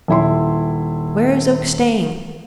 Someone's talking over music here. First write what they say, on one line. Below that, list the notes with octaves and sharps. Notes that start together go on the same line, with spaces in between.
"Where is Oak staying?"
D#1 E4 C6